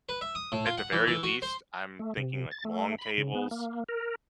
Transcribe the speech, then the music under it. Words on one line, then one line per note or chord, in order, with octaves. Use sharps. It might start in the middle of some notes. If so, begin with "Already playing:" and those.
at the very least, I'm thinking like long tables,
B4
E5
D#6
A2
F4
F#5
E3
E3
F#4
C5
A3
C3
A6
A3
B5
C#3
B3
A#3
A#4